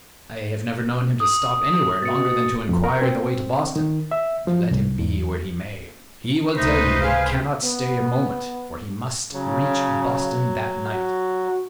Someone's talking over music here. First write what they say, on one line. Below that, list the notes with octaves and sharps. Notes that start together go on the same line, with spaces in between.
"I have never known him to stop anywhere longer than to inquire the way to Boston; and, let him be where he may, he will tell you he cannot stay a moment, for he must reach Boston that night."
D#6
B2 A6 C#7
F2
A#4
C4
D#3
E5
F3
C2
E2
C#2 C3 A3 D#4 B4 C5
G#4 F5
B3
C#3 F#3
F#4